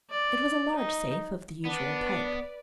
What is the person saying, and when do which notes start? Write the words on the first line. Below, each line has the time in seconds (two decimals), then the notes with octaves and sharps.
It was a large safe of the usual type.
0.10 D5
0.76 D#4
1.65 B3 D4 B4 D5